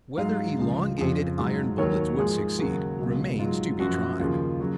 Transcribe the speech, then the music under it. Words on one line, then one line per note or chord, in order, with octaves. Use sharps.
Whether elongated iron bullets would succeed, remains to be Tried.
G#2 F#3 F5
C#2 C#3 F3
F2 C#3 F3
G#2 F#3
D#2 D#3 F#3 C#5
G#2 F3 G#4
D#2 C#3 F#3 F#4
C#2 B2 F#3
G#2 F#3 F4
F#2 F3 F#4
D#2 C#3 F3 F4
C#3 F#3 F#4